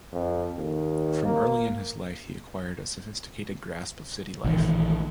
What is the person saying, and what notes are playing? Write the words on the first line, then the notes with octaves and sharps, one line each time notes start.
From early in his life he acquired a sophisticated grasp of city life.
F2
D#2
A#3
A#1 D#3 E3